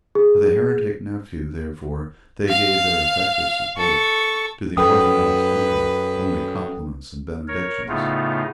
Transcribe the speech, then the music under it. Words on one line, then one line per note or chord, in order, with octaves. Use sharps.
To the heretic nephew therefore they gave their effective support, to the orthodox uncle only compliments and benedictions.
G#4
F5
A4 C#6
F#2 A4 B4 G5 D#6
A#4 C#5
A2 C#3 A3 B3 D#4 F4